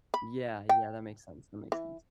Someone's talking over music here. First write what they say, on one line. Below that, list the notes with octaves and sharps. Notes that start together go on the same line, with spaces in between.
Yeah, yeah, that makes sense, that makes sense.
B5
G5
E3